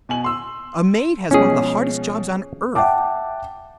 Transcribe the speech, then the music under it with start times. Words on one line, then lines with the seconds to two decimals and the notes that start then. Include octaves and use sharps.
A maid has one of the hardest jobs on earth.
0.09 B2 G#5 F#7
0.24 C6 E6
1.31 B2 F3 G#3 C#4 G#4
2.75 E5 F#5 G5 A5 D6